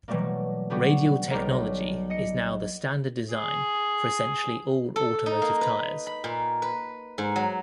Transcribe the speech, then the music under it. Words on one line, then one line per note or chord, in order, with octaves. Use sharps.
Radial technology is now the standard design for essentially all automotive tires.
B2 E3 F#3 G3 A3 A#3
D3 G3 B3 F#4 G4
B1 G3 A#3 A#4 C#5 A#5
D#5 C#7
G#4
A4
D#4
A#3
B4
B5
A#2
B4
G#2
F#3